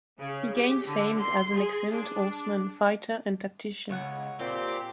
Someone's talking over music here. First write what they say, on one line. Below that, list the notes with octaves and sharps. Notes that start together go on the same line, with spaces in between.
He gained fame as an excellent horseman, fighter, and tactician.
C#3
G4
D3
C6
G#4
D4
C#2 C#5 F#5
A#2 C4 G4